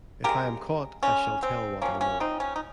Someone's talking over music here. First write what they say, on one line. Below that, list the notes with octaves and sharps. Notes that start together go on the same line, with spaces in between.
If I am caught I shall tell what I know.
C#3 G#3 G4 A#4
C#3 G#3 C#4
C4
C3 F3 A#3 C#4
C#4
C4 D#4
C#4
D#4